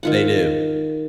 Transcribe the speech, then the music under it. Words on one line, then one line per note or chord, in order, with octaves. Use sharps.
They do.
D#3 F4 F#5